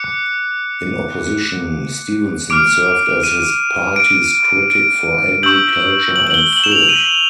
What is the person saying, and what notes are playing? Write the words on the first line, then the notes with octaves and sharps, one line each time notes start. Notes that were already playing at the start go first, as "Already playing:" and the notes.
In opposition, Stevenson served as his party's critic for Agriculture and Food.
Already playing: D6 F#6 C#7
D6 F6 D7
D#7
D7
D7
C#6 E6 G6 F#7
F#7
F#7
G7
F#7
E7
F7
D#7